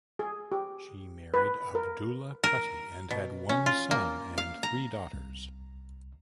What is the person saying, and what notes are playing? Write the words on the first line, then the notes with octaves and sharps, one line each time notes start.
She married Abdulla Kutty and had one son and three daughters.
G#4
G4
B4
A#4
A#4
B2
C#4
F4
A#3
F5
A#5
C2